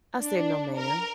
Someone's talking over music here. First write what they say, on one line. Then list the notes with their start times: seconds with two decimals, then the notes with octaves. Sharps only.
I said, "No, ma'am."
0.24 D4
0.77 A#4